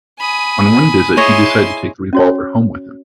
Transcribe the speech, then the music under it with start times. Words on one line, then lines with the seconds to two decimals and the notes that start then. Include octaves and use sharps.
On one visit he decided to take the revolver home with him.
0.20 G#5 B5 D#6
1.17 E4 G#4 C#5 D#5 C6
2.13 C#4 F#4 C#5